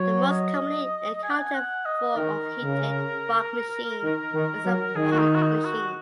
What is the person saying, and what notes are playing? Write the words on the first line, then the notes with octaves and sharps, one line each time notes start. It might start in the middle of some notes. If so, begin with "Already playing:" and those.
The most commonly encountered form of heated fog machine is the pump machine.
Already playing: F#3 C#5
D#5
G#5
F#5
G#5
F#5
D#5
D#3 A#4
C#3
D#3
D#3
F#3
D#3 G#4
F#4
D#4
F#4
D#4
F#4